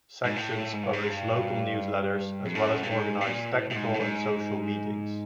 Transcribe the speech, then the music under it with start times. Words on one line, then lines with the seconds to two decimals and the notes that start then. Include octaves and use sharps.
Sections publish local news letters as well as organize technical and social meetings.
0.25 G#2
0.36 A2
0.73 G#2
0.83 G2
0.93 G#2
1.09 G2
2.45 F2
2.55 F#2
2.83 G2
2.90 G#2
3.21 A2
3.26 A#2
3.52 A2
3.70 A2
3.75 G#2
3.94 A2
4.00 G#2